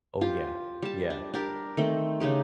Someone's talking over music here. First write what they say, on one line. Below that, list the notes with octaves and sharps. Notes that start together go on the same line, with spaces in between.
Oh, yeah. Yeah.
F4 G4
G3 A5
D4
D4 G4 A#4
D#3 A3 C4
C#3 D4 D#4 G4